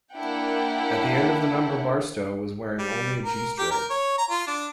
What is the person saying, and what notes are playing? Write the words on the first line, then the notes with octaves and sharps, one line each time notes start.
At the end of the number Barstow was wearing only a G-string.
A#3 D4 E4 F#5 G5
G3
A#4
G4
A#4
C#5
A#5
F4
D4